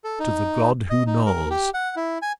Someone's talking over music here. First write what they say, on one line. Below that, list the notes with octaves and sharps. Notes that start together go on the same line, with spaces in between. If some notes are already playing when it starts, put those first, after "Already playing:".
To the god who knows.
A4
D#4
D#5
D#4
A#4
G4
F#5
E4
G#5